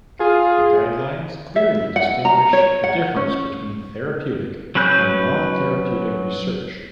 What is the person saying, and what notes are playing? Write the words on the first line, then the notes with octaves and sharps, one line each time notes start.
The guidelines clearly distinguished the difference between therapeutic and non-therapeutic research.
F4 G#4
E5
F#5
A#5
C#5
F#5
C#4
F#3 C#4 B4 F#6 G6